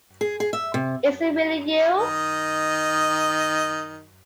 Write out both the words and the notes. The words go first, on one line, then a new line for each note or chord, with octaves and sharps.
Is it really you?
G#4
G#4
E5
C3
D#3 D#5